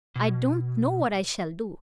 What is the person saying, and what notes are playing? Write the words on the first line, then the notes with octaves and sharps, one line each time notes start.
I don't know what I shall do.
B2